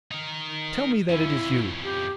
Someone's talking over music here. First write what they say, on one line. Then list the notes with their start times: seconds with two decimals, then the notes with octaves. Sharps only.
Tell me that it is you!
0.11 D#4 A#4
1.09 F2 C#4 E4
1.84 G4